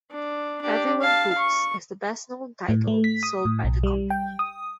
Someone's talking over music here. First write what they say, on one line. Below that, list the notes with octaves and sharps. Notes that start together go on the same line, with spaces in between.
"Everyone Poops" is the best-known title sold by the company.
D4
D4 G4
F5 A5
C#6
A2
A3
B6
D#6
A2
B1
G3
G5
D#6